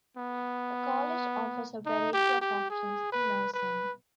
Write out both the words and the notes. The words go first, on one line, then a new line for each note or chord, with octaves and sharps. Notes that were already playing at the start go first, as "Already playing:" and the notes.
The College offers a variety of options in nursing.
B3
D#4
G4
G4
G#4
B4
B4